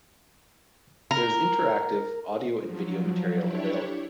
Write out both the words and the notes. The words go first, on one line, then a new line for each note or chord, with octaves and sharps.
There is interactive, audio and video material available.
A#4
F3 F#3
D4 E4 G4 C#5